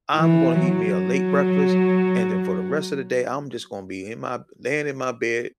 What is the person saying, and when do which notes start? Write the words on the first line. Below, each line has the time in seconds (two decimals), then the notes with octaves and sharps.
I'm gonna eat me a late breakfast, and then for the rest of the day, I'm just gonna be in my laying in my bed,
0.15 E3
0.62 F#3